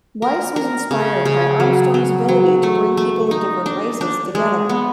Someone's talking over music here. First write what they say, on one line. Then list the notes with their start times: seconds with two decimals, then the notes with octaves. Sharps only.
Weiss was inspired by Armstrong's ability to bring people of different races together.
0.22 A#4
0.56 A#4
0.91 C#3
1.25 C#3
1.60 F#3
1.94 F#3
2.29 F#3
2.63 A3
2.97 A3
3.31 D#4
3.66 D4
4.01 D4
4.35 G#3
4.69 B3